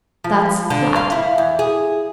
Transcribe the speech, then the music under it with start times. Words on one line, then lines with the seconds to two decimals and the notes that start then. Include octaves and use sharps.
That's flat.
0.24 F3
0.70 D3
0.96 F5
1.12 E4
1.38 E2
1.59 G#4